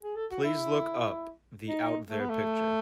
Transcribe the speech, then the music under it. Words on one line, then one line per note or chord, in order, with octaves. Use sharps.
Please look up the Out There picture.
G#4
A4
F#4
E4
D#4
A3
B3
A3